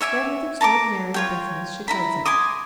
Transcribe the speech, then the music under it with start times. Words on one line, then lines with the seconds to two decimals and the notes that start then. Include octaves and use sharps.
Yet with extraordinary deftness she treads it.
0.01 C#5 E5 G#5 D6
0.61 A5 A#5 C#6 D6
1.14 F4 C#5 G5
1.88 E4 A#5 B5
2.26 G#5 C6 D6 D#6